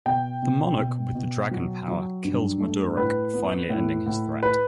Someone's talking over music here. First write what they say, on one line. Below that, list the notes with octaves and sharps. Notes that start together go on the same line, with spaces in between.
The monarch with the Dragon Power kills Madruk, finally ending his threat.
B2 G5
B2
B2
B2
F#3
F#3
G2
A3
A2 B4
B3
A2
A2
B4